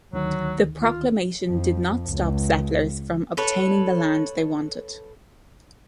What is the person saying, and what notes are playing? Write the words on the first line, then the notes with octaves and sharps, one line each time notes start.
The proclamation did not stop settlers from obtaining the land they wanted.
D2 D#3 F#3
F4
F2
C#2
A4 B4 C#5